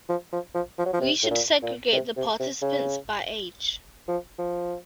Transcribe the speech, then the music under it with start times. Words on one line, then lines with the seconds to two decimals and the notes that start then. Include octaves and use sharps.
We should segregate the participants by age.
0.09 F3
0.32 F3
0.54 F3
0.78 F3
0.86 F#3
0.93 F3
1.01 C3
1.23 A2
1.31 A#2
1.62 A#2
1.92 C3
2.17 C3
2.39 C3
2.62 C#3
4.08 F3
4.39 F3